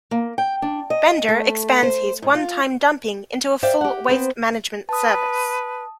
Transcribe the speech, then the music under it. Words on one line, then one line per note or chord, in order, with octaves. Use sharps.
Bender expands his one-time dumping into a full waste management service.
A#3
G5
D4
D#5
A3
C5
G#2
F4
C5 D5 E5 F5 G5
G4 F#5
B3 C4 B4 C5
B4 A5 D#6